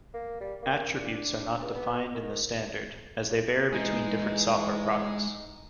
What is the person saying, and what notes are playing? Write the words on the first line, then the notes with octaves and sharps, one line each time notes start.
Attributes are not defined in the standard, as they vary between different software products.
A#3
G3
A#3
D4
C#2
B3
D#3
E3 G#3 D#4 G#4